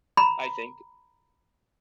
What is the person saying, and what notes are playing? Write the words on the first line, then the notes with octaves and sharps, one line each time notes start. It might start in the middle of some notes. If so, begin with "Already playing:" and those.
I think
A#5 B5